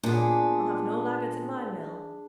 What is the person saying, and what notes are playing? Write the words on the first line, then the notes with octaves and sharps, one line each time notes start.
'I'll have no laggards at my mill.
A#2 B3 D4 G#4